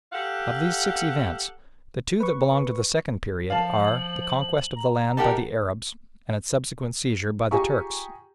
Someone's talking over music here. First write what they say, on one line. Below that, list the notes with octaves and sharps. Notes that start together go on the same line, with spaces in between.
Of these six events the two that belong to the second period are, the conquest of the land by the Arabs and its subsequent seizure by the Turks.
G4 A4 F5 F#5
B4 C#6
F3 F5 A5 F#7
A#5
D#4 G4 A#4 F#5 A5
F4 G4 G#4 G#5 A#5 C#6